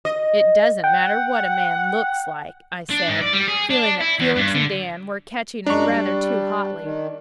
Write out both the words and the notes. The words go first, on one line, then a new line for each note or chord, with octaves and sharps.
"It doesn't matter what a man LOOKS like," I said, feeling that Felix and Dan were catching it rather too hotly.
D#5
F#5 G5
D4
G#2
D5
G3
G#4
D4
E4
E2
G2
D3
F#2 G#3 D4 A#5 C#6
G3
D#3